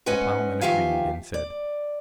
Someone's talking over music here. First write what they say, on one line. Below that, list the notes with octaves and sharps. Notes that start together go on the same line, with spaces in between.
The ploughman agreed and said.
G#2 C#4 B4 D#5 F#5 G#5
D#3 F3 G4 E5 F5 G#5
D5